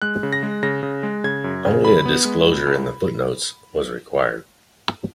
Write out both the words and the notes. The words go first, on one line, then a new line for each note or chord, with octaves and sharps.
Only a disclosure in the footnotes was required.
G#3 F#6
C#3
A#6
G#3
C#3 A#6
C#3
G#3
C#3 G#6
F#2
C#3
F#2 B5
B3
G#3
B2
C#2